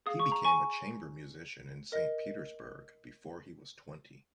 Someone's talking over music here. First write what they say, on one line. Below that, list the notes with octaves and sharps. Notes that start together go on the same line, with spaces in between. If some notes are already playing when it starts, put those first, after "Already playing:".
He became a chamber musician in Saint Petersburg before he was twenty.
G#4 F5 D#6
C#6
A#5
G#5 C#6
A#4 D#5